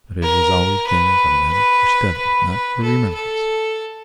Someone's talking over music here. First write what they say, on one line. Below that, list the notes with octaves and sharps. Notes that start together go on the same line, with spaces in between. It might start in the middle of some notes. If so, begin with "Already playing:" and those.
But it has always been as a matter for study, not for remembrance.
A#4
B4
B4
B4
B4
A4
A4